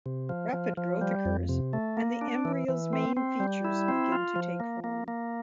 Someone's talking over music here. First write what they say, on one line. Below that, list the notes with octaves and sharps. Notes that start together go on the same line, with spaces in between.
Rapid growth occurs and the embryo's main features begin to take form.
C3
F3
F3
F3
G3
F2
C3
A3
A#3
D4
E3
E3
C4
C4
G3
E4
C4
F4
F3
A#3
A#3
A#3